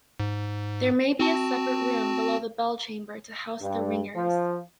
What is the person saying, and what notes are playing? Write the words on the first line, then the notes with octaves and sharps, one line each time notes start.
There may be a separate room below the bell chamber to house the ringers.
G#2
C4 F#4 A5
G2
F3